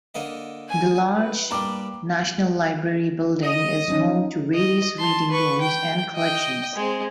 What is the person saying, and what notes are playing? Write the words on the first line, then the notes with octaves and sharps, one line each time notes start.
The large National Library building is home to various reading rooms and collections.
D3 A#3 D#5
G#5
B4
G3 A#3 D4 A#5 D6
D#5
F#3 C#4 D#4
D#5
A5 C6
B4 C#6
G5
D#5 G5
G#3 C4